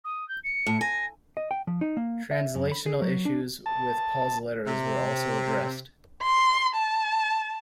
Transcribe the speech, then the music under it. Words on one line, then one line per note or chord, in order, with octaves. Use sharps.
Translational issues with Paul's letters were also addressed.
D#6
G6
C#7
A2
G#5 A#6
D#5
G5
F3
D#4
A#3
E5
F#2
B5
G#4
F#3
D4
A5
C3
C6
A5